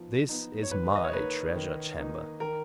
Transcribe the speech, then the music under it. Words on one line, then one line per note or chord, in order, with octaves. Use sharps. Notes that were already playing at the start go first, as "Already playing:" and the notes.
This is MY treasure-chamber.
Already playing: F3 B3 D#4
B3 D#4
C#5
D#3 B4
D#5
C#5
A#3 D#4 B4
D#3
A#3 D#4
D#3 A#4